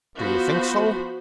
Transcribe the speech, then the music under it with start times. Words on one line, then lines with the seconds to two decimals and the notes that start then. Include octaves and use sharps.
"Do you think so?"
0.17 F3 B3 F#4 C5 B5